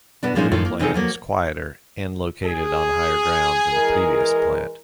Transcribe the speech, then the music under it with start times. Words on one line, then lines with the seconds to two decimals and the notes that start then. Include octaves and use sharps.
The new plant is quieter and located on higher ground than the previous plant.
0.23 B2 B3 D4
0.35 A#2 F3 G#3 C#4 D#4
0.52 F#2 A2 D#3 F3 A3
0.65 A#3
0.79 E2 C3 F3 D#4 G#4 A4
0.94 F3 F#3 A#3
2.44 G#4
3.73 E3 G#3 A#4